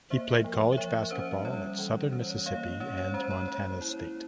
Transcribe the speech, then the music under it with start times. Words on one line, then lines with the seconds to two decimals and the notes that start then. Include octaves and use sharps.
He played college basketball at Southern Mississippi and Montana State.
0.10 A#3 C5 E5
0.44 F3
0.72 E5
0.77 F3 C#5
1.11 C#4 C5
1.45 G3 C#5
1.79 E3
2.12 C#4 C5
2.29 C#5
2.46 A#3 C#5 F5
2.64 C#5
2.80 C#4 C#5
2.98 C#5
3.14 G#3 C5
3.31 C#5
3.48 G#3 C#5
3.81 E4